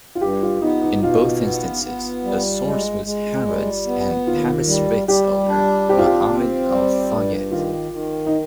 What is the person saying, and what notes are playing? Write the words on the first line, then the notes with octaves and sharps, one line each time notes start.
In both instances, a source was Harrod's and Paris Ritz owner Mohammed Al-Fayed.
F4
G2 G4
F4
B3 D#4
D#4
B2 F4
B3
B3
G3
G#3
G#3
G3
B3
D#2 F4
G3
G3 G4
D4
C4 G4
F4
G4
C4
G3
G2
D#3 F4
D#3
D#4